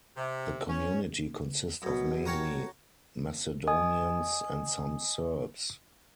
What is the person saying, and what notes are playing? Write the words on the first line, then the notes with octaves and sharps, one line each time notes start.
The community consist of mainly Macedonians and some Serbs.
C3
C#4
F#2 B2
F#4 A#4 C#5 G5 A5
D#5 G#5 D#6